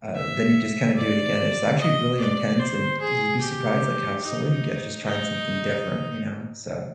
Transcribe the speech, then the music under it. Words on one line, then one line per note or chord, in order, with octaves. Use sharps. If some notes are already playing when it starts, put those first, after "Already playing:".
uh, then you just kinda do it again. It's actually really intense and you'd be surprised like how sore you get just trying something different, you know, so
E5
D5
D#5
D5
C5
G#4
G4
D#4
D#4